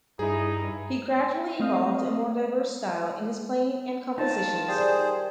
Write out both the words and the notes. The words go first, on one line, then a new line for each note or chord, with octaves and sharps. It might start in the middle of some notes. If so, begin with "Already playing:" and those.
He gradually evolved a more diverse style in his playing and compositions.
G2 D#4 E4 G#4
A3 C4 C5 D#5 F5
D#3 D#4 F4 A5
G3 G#4 C5